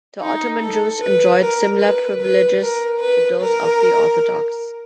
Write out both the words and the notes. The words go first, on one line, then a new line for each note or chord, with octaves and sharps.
The Ottoman Jews enjoyed similar privileges to those of the Orthodox.
D#4
A4
B4
A#4
B4
B4
A#4
B4
A#4